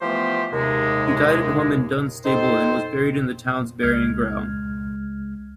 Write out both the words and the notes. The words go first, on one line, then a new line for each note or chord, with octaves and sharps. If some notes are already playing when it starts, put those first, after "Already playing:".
He died at home in Dunstable and was buried in the town's burying ground.
E3 F3 A3 B3 G4 C5
D#2 C3 G#3
C4 D#4 A4 C5
C#2 G#3 F6 G#6